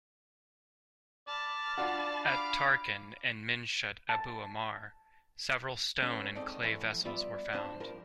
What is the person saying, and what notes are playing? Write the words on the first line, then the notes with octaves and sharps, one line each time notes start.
At Tarkhan and Minshat Abu Omar, several stone- and clay vessels were found.
D5 A5 B5 F6
D4 F4 F#4
F5 B5 D6 F6
A5
A3 B3 C#4 A4
G#2 A3 C4 D5 D#5
A2 E3 F3 A3
G3 B3 F4 D5 E5
F2 A2 D4 C5 A5
G2 F3 A#4